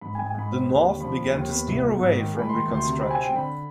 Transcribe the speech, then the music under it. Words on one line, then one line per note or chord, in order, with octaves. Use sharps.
The North began to steer away from Reconstruction.
G#2 B5
G#5
G#2
G#5
G#2 B5
C4
D#2
D3
F3 B5
D#2
D#2
B3 B5
C2
B2
G#2
D#3
G#3
B5
D#3 C6
D2
C6
C3
C4 B5
C4 G#5
G5
D3 B5